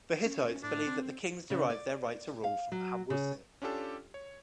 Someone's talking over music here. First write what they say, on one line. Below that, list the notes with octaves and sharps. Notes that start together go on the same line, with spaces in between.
The Hittites believed that the kings derived their right to rule from Hanwasuit.
C#4
A2 D4
C4
C#3
D5
F5
F#3
C#3
C#4 D4 F4 G4 A4
C#5